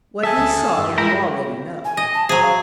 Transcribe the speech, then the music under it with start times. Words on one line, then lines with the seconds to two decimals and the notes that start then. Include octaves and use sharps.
What he saw you already know.
0.23 G#4 A4 E5 G#5 A5
0.38 D2
0.78 G2
0.98 G#3 E4 A#4 G5 A#5
1.84 G#5
1.97 D#5
2.13 A5
2.29 F#3 G#4 C5
2.42 F5